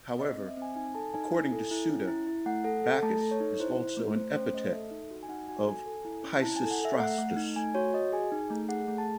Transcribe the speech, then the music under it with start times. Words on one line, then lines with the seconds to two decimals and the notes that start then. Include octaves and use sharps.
However, according to Suda, Bakis was also an epithet of Peisistratus.
0.19 C4 D#5
0.34 C4 D#5
0.48 E5
0.57 C4
0.62 G#5
0.76 D#4 G#5
0.95 A4 A5
1.14 D#4 G#5
1.32 E4
1.52 A4
1.71 E4
1.89 C#4
2.08 E4
2.27 E4
2.46 A3 F#5
2.64 A4 F#5
2.84 A4
3.03 A3 A5
3.21 A4
3.31 C#5
3.40 D#4
3.60 E4 C5
3.78 E4
3.97 A3
4.15 A3 C5
4.35 C#4 C5
4.54 A3 D#5
4.72 A4 E5
4.91 D#4
5.10 F#4
5.23 G#5
5.29 D#4 F#5
5.48 F#4 G#5
5.68 A4 G#5
5.86 A4
6.05 E4
6.24 C#4
6.42 E4 A5
6.56 G#5
6.61 A4
6.71 F#5
6.80 A4
6.85 E5
6.99 A3 F#5
7.18 A3
7.37 D#4
7.56 A3 G#5
7.75 F#4 C#5
7.93 F#4 D#5
8.12 G#4 G#5
8.32 D#4
8.50 A3
8.69 G#4 F#5
8.88 A3
8.98 A5